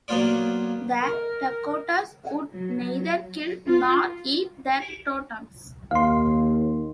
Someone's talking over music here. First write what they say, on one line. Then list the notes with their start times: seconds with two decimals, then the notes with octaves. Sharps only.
The Dakotas would neither kill nor eat their totems.
0.08 F#3 A#3 B3 F4 C#5 D5
1.01 A#4
2.53 F#3
3.67 F4
5.91 D#2 F5 C6